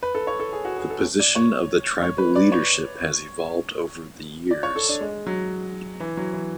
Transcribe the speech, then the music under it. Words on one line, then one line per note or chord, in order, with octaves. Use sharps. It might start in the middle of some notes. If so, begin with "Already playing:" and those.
The position of the tribal leadership has evolved over the years.
B4
A4
C#5
A4
G#4
F#4
G#4
A4
D5
C#5
C#5
B4
D5
C#5
D5
C#5
A4
D4
G#3
F#3
E3
F#3
E3